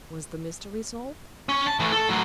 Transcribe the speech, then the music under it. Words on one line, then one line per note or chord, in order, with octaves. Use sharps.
Was the mystery solved?
C#4
A5
A2 E3
A4
A2 F#3